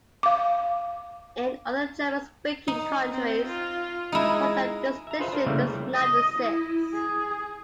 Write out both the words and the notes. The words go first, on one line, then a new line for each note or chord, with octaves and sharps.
In other German-speaking countries such a distinction does not exist.
F5 D6
D#4
C4
F4
G#3 D#4 E4
E5 A#5
F4 G#4 B4 C5 E5
D4 A#4 C5
C#3 E3 G3 A3 A#3
D#5
E4
G#4